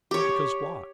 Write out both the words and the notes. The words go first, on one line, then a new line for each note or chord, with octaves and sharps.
'Because why?
G4 C#5